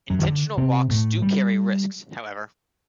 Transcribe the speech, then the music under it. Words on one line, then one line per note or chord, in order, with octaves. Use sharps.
Intentional walks do carry risks, however.
F#2 F#3
D#3
D3
C3 C4
A2 A3
G3